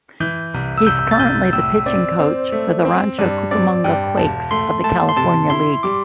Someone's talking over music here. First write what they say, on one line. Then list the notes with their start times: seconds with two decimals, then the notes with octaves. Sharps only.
He's currently the pitching coach for the Rancho Cucamonga Quakes of the California League.
0.20 E3 G6
0.54 C2
0.78 E6
0.86 C2 G6
1.11 A6
1.20 C2 G6
1.53 A2 E6
1.86 C4 D5
2.19 C4 C5
2.52 A3
2.85 C4
3.18 G2 D5
3.51 C4 D5
3.84 G2 G5
4.17 E1 A5
4.51 A3 C6
4.84 A3 A5
5.09 C6
5.16 C3 A5
5.50 E4 C6
5.83 G3 D6